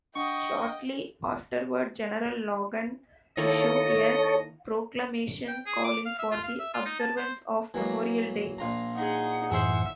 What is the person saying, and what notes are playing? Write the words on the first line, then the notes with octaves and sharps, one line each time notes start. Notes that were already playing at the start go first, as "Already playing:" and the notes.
Shortly afterward General Logan issued a proclamation calling for the observance of Memorial Day.
D4 D#5 F#5 G5 C#6 D#6
D#3 A#3 E4 A4 C#5 D#5
G5
G#4
D6
F5
E5
F4
F5
E5
F4
D#4
A5
C5
E3 F#3 A#3
A#1 F4 A#5
D#4 G#4 F#5
F#2 A2 E3 G#4 C5 E5